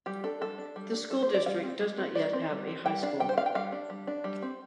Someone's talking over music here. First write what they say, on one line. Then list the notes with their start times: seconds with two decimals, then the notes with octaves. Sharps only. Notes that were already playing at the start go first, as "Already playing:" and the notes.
The school district does not yet have a high school.
0.06 G3 G4
0.24 D4 A4
0.41 G3 A4
0.58 D4
0.76 G3
0.93 D4
1.10 G3 A4
1.22 C5
1.28 D4
1.34 D5
1.46 G3 F5
1.64 C4
1.81 G3
1.98 C4
2.15 G3 D5
2.33 C4
2.50 G3
2.67 C4
2.86 G3 G5
3.03 D4 F5
3.20 G3 G5
3.29 C5
3.38 D4 F5
3.46 G5
3.55 G3 F5
3.72 D4
3.90 G3
4.07 D4
4.24 G3
4.42 C4